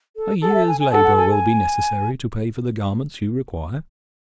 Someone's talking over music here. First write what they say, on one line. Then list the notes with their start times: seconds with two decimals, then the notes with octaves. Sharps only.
"A year's labor will be necessary to pay for the garments you require."
0.16 A4
0.42 G#4 A4
0.49 F#5
0.54 E5
0.68 G#5
0.80 G#5
0.92 A4 F#5
1.04 F#5
1.17 G#5
1.30 G#5